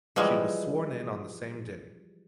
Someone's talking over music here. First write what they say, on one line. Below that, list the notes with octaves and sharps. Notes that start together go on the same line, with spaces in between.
She was sworn in on the same day.
E3 F3 G3 G#3